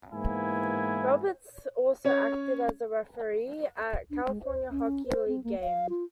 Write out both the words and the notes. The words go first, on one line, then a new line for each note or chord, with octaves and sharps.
Roberts also acted as a referee at California Hockey League games.
G#2 E3 A#3 B3 E4 G#5
C#4 C#5
D4
G#3
C5
C#4
C5
C4
A#3
F5
F4